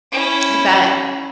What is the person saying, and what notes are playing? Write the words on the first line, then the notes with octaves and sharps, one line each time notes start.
I bet.
C#4 E4